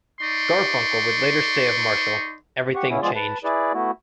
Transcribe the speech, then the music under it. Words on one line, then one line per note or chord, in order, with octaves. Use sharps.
Garfunkel would later say of Marshall, Everything changed.
D#4 D5 C6 C#6
G4 F#5 C#6
C#3 B3 C#4 E4
F3 G#3 B3 F4 G#4 D5
B4 A5
E4 G#4 B4 D5
A3 B3 E4 F#4